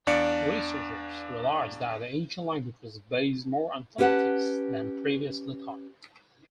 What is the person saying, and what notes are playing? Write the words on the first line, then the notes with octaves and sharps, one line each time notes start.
Researchers realized that the ancient language was based more on phonetics than previously thought.
E2 D4 D5 F5 C#7
C#4 E4 G4 B4 F#5 A5